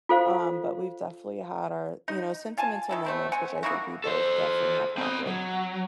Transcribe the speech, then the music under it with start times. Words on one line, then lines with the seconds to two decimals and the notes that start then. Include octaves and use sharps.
Um, but we've definitely had our, you know, sentimental moments, which I think we both definitely have had with
0.09 F4 A4 C5 F5
2.08 D#4
2.57 F4 G#5 A5
2.89 D#3 E4 A4
3.05 A3 C4 E4
3.32 C4 F#5 G#5
3.63 A#3 D#4 E4 F#4
4.04 A4 C5
4.98 C4 D#5
5.27 F#3